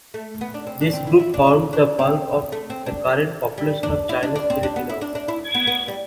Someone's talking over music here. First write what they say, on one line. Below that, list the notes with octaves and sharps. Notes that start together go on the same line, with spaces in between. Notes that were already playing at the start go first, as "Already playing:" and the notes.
This group formed the bulk of the current population of Chinese Filipinos.
A3
B3
D4
C4
D4
C4
E4
E4
D4
D4
D4
C4
A3
C4
D4
G3
D4
E4
D4
D4
C4
D4
B3
E4
D4
D4
E4
B3
B3
G3